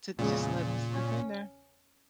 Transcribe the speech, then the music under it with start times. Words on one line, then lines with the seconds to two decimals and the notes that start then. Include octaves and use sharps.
To just let 'em sleep in there.
0.19 E2 A#2 C#3 G#3
0.92 C#4